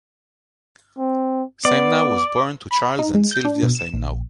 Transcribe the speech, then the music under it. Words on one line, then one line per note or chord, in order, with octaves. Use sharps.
Samenow was born to Charles and Sylvia Samenow.
C4
B3 D5
B5
D#4
G#3
G6
D4
B2
E7
A#1